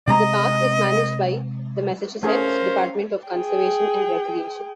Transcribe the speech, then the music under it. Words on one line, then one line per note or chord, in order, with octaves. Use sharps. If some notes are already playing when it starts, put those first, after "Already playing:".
The park is managed by the Massachusetts Department of Conservation and Recreation.
C3 G#3 D#5 A#5
A3 C#4 G#4 A#4 C5 F5
G#4 G5